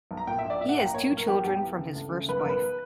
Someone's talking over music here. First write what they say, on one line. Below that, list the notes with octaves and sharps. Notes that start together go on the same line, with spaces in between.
He has two children from his first wife.
B1
A#5
A#2 G5
E5
A#1
D5
A#2 E5
F#5
A#1 G5
A#5
A#2 C#5
B1
A#4
B1 G4
B1 G4
E3
C#3
D2
C#3
B1 B4
A#4
B1 B4